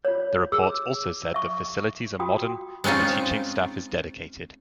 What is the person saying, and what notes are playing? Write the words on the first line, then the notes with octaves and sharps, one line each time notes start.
The report also said the facilities are modern and the teaching staff is dedicated.
F4 C#5
G#4 E6
E5 C#6
F4 F#4 G5 D#6
G#3 C4 C#4 D#4 F4